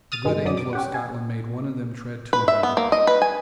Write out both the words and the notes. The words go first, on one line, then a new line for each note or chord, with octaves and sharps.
The good angel of Scotland made one of them tread too heavily.
D#6 F6 A6 D#7
G2 B2 G#3
F#2 F#3 D5 D#6
D6
C#4 G4 F#5
G#5
B4
E5
B3
A#3
D#5
B4
G#5